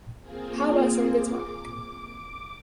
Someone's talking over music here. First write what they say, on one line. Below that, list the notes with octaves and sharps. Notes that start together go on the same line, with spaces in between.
How about some guitar?
A#3 C4 F4 G#4
D6